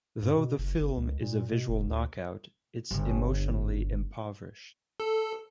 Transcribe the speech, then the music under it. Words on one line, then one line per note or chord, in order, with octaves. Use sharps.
Though the film is a visual knockout, it's emotionally impoverished.
G2
B2
F#1
G1
C#2
A#2
B2
F1
D2
G1 D3
A4